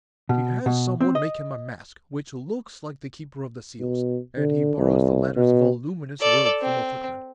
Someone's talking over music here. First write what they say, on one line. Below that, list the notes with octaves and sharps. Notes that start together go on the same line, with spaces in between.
He has someone make him a mask which looks like the Keeper of the Seals, and he borrows the latter's voluminous robe from a footman.
B2
B2
C4
D#5
B2
D3
C2
B2
A4 D5
C4